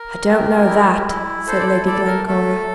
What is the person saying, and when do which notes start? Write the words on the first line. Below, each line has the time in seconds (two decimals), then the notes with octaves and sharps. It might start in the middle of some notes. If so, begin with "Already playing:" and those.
"I don't know that," said Lady Glencora.
Already playing: A#4
0.29 G4
0.68 E4
1.08 E4
1.47 A4 C5
1.59 D5
1.67 C5
1.87 A4 D5
2.07 A#4
2.27 A3 A4